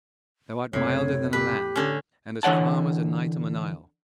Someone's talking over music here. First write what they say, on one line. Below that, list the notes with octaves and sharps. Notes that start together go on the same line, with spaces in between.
Thou art milder than a lamb, and as calm as a night on the Nile.
F#1 A2 C3 C#5
G4 B4
D3 C#4
D3 E3 C#5 F#5 A5